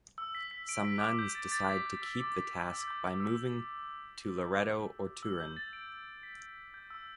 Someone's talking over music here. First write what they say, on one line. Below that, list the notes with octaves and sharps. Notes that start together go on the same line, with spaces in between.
Some nuns decide to keep the task by moving to Loreto or Turin.
E6
B6
B6
D7
B6
D6
E6
G6
A6
A6
B6
G6
E6
D6
E6
G6
D6
E6
E6
G6
A6
D7
B6
G6
E6